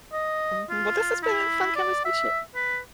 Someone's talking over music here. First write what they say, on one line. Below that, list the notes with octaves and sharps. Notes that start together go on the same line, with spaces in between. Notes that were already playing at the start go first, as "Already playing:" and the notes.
Mhm, well, this has been a fun conversation,
D#5
F4
E4
D5
E5
B4